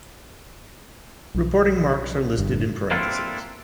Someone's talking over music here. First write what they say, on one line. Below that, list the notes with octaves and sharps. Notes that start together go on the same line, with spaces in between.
Reporting marks are listed in parentheses.
B1
G1 G2
A#3 C4 D4 E4 F4 A4